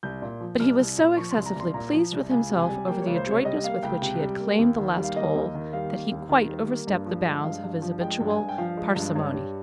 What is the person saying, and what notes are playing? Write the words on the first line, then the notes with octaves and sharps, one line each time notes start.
But he was so excessively pleased with himself over the adroitness with which he had claimed the last hole, that he quite overstepped the bounds of his habitual parsimony.
C2 G6
A#2
F3
C2 F6
C2
A#2
F3 C#6
C2 C6
A#5
C2 C6
A#2 A#5
F3
C2
C#2 G#5
C3
G#5
G3
A#3 G5
C#2 C#5
C5
C3
C#5
G3 D#5
A#3 F5
C#2 G5
C3 G5
G3
A#3
D#2
D#3
G3
F5
A#3 D#5
D#2
D#3
G3 F5
A#3
D#2
D#3
G3
A#3
G2
F3
G#3
G2 F5
G2
F3
G#3 G5
G2
G#5
G2
G5
F3 F5
G#3
G2
G2 C#5
G3